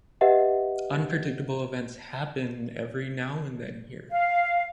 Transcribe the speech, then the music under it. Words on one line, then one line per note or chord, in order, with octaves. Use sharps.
Unpredictable events happen every now and then here.
G4 B4 D#5 E5 F#5
F5